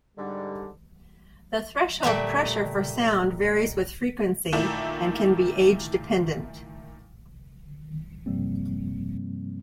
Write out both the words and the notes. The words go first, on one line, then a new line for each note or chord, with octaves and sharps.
The threshold pressure for sound varies with frequency and can be age-dependent.
G#2 D3 G3
A#2 G3 A3 E5
A#2 D#3 A3 E4
G2 C3 F3 G3 A#3 C4